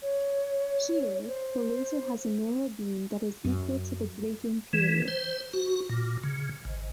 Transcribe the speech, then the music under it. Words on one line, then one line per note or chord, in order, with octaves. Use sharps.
Here, the laser has a narrow beam that is equal to the grating period.
C#5
C5
F#2
E3
C5
F#4
A#2
C#3
G#1